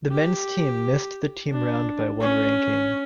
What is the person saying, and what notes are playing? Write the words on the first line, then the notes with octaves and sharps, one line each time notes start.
The men's team missed the team round by one ranking.
G4
D4
C#4